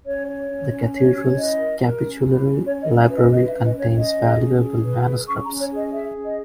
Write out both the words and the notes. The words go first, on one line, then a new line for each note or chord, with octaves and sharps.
The cathedral's Capitulary Library contains valuable manuscripts.
C#4 C#5
C#5
C#4
C#4
C#5
C#4
E4 D#5
A#4
A#4
C#4
E4
C#4
C#4 C#5
D#5
C#4
E5
B4
D#5
B4 D#5
E5
C#4
D#5
C#4
C#5
C#4 D#5
G#4
C#4
G#4
B4
G#4
C#4 C#6
A#5
C#4
C#5
G#4
D#5
G#4 E5
C#4
D#5